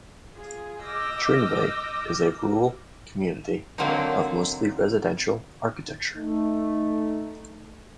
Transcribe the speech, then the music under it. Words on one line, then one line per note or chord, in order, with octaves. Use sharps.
Trinway is a rural community of mostly residential architecture.
F4 G#4
D#5 D6 E6 F6 G6 A#6
D3 F#3 A#3 C4 D#4
A3 D#4